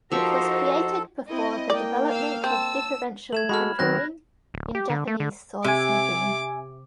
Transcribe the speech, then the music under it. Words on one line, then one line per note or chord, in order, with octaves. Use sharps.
It was created before the development of differential tempering in Japanese swordsmithing.
F3 D#4 F#4 G4 A4 A#4 C5 C#6
C4 E4 D#5
A#3 D5 G5
F5 E6
C4 A5 E6
A3 G#6 E7 F#7
G#3 F#4 A4 B5 F6
D#3 F#3 C4 F#6 A#6
D1
G4
D3
A3
D3
C3 E5 G#5 D6